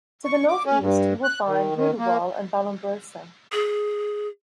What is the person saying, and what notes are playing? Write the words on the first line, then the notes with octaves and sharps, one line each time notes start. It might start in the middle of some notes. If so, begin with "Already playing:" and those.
To the north east you will find Roodewal and Vallombrosa.
C#6
D6
C#4
G2
F#6
D#3
D#3
A#3
G#4